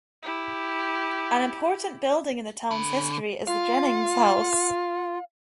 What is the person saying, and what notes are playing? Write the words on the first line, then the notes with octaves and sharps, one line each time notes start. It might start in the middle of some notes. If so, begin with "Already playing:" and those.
An important building in the town's history is the Jennings House.
E4 G4
D3 B5
F4 F5